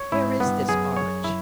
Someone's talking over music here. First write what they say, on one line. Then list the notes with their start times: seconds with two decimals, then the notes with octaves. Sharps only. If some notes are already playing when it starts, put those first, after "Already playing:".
"Where is this Arch?"
Already playing: C#5
0.12 G#2 E4
0.40 G2 B3
0.69 F#2 G#4
0.97 C#5
1.24 E4